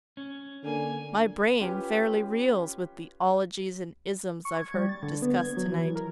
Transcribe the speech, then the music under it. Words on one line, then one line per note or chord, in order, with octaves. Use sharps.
My brain fairly reels with the 'ologies and 'isms I've heard discussed tonight.
C#4
D3 A#3 G#5
C#4 F4 G4 B4
C#6
G#6
G3
A6
D3
B3
G#6
F#3
E3
A#4